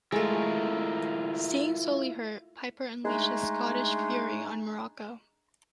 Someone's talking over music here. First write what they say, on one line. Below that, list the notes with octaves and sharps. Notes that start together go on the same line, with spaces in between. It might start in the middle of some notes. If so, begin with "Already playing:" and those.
Seeing Solie hurt, Piper unleashed his Scottish fury on Muraco.
G#3 A3 E4 F4 A#4
G#3 A3 D4 D#4